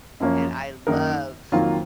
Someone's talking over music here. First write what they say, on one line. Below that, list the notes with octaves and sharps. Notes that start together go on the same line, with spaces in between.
and I love
F#2 F3 A#3 C#4
F#2 D#3 A#3 D#4 A#4
F2 D#3 F#3 A#3 F4